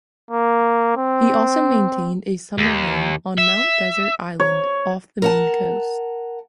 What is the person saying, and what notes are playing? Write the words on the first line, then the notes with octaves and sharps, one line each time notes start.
He also maintained a summer home on Mount Desert Island off the Maine coast.
A#3
C4
D#2
E5
C#5
A#4 F#5 A5